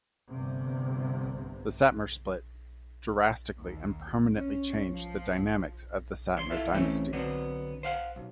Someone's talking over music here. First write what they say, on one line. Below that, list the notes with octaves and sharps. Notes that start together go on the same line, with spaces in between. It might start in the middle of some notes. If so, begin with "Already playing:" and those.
The Satmar split, drastically and permanently changed the dynamics of the Satmar dynasty.
G1 C3
D#2
C#4
F3
E2 C#5 C6
E4 F4 A4 E5
E3 A3 C4 C#4
D3 F#3 B3 C4
C5 F5 F#5
B1